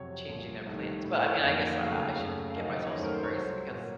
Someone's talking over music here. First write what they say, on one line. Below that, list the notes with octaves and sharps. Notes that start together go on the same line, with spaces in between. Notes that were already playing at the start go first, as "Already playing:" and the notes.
changing their plans. But, I mean, I guess I I should give myself some grace because
Already playing: F2 C3 F#3 C#5
C2 A#2 F3
C2 C3 D#3 A3
A2 A3
C#5
D#5
F2 D#3 F#3 A#3 F5
D#2 C#3 F#3 A3 F5
F5
F#2 C#3 A3
F5
D#2 C#3 F#3 D#5
F5
D#5
C#5
F#2 D#3 F#3 A3 C5
A#4
C5
C#5
C2 C3 F#3 A3 C5
A#2 F#3 A#3 C#5